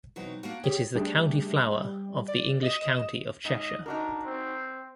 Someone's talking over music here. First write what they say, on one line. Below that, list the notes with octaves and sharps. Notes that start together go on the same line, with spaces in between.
It is the county flower of the English county of Cheshire.
B2 E3 F#3 C4 D#4 F#4
A#3 D4 F#4
G4 G#4 C#5 G5
G3 A3 D4 G4 G#4
G3
D5
D#5 D#6 E7
G#2 D#5
D4 D#4 F#4 A#4
C4